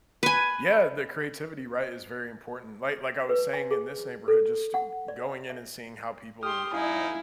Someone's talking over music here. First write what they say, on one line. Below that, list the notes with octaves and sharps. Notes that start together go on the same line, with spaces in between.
Yeah, the creativity, right, is very important. Like like I was saying in this neighborhood, just g going in and seeing how people, uh,
B4 G#5
B4
G#5
G#4
A4
F#5
D5
E5
G4 C6 D#6 F6
D#4 E4 F5 G#5